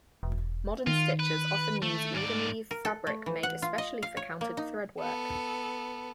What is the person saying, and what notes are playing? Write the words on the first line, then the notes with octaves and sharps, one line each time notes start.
Modern stitchers often use even weave fabric made especially for counted thread work.
E1
D#3 F4
B4
A3
G#2 D5
A#4
A4
A3
E3
F#5
F4
D#5
F5
C#5
A#3
D#4
B3 A4